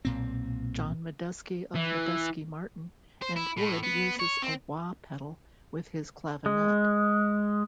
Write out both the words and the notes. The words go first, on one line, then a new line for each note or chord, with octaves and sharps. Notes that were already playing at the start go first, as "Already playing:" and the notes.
John Medeski of Medeski, Martin, and Wood uses a wah pedal with his clavinet.
B1 A#2 C4
E3
C5
E4
A2
B3
C#5
C4
G#3